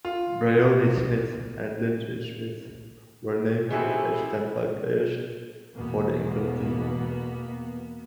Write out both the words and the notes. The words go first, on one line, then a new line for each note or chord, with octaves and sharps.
Bryony Smith and Linsey Smith were named as standby players for the England team.
F4
C3 E3 D#4 E4 F#4 G#4 A4 G#5
E2 B2 A#3 B3